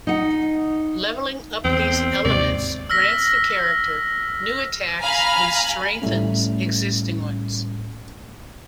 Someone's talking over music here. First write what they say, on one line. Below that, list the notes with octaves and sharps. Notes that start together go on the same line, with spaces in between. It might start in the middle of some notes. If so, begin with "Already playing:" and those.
Leveling up these elements grants the character new attacks and strengthens existing ones.
D#4 F#5
E2 C4
D#2 G#2 C3 D5
E6 F6 A#6 B6
F5 G#5 A#5 B5 F6
A2 G3 A3 C#4